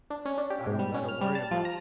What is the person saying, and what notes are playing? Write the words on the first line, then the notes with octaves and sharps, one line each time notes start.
"I don't gotta worry about,"
D4
C#4
D4
G4
G#2
G3
C#4
F6
G3
A5
F3
A#5